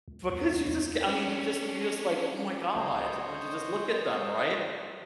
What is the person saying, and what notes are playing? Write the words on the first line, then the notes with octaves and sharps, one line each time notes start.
Because you just c I mean, you just you're just like, "Oh my god", when you just look at them, right?
C#2
E2
C#2
E2
C#4 D4
C#2 C5 C#5 D#5